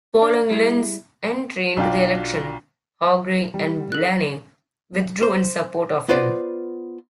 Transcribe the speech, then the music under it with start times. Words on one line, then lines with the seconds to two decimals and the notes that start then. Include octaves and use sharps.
Following Lynch's entry into the election, Haughey and Blaney withdrew in support of him.
0.22 D4
0.50 G3 E4 G#4
1.77 B1 D4 F4 G5
3.54 G3
3.92 A4 F#6
5.23 C5
6.08 B3 F4 B4 C5 D5